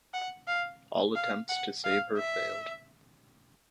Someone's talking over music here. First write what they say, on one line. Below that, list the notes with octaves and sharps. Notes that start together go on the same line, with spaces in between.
All attempts to save her failed.
F#5
F5
F5
F#5
F5
E5